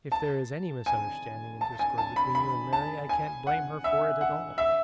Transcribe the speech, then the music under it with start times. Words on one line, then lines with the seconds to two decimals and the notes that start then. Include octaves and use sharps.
If there is any misunderstanding and discord between you and Mary, I can't blame her for it at all.
0.12 A5
0.86 G#5
1.61 A5
1.79 G#5
1.98 A5
2.16 B5
2.35 B5
2.73 A5
3.09 G#5
3.47 F#5
3.84 E5
4.21 F#5
4.58 E5